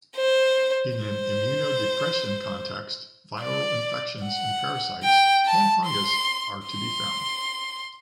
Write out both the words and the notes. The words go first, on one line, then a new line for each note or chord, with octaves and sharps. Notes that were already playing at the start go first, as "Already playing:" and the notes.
In an immunodepression context, viral infections and parasites and fungus are to be found.
C5
C5
D5
F#5
G5
A5
C6
C6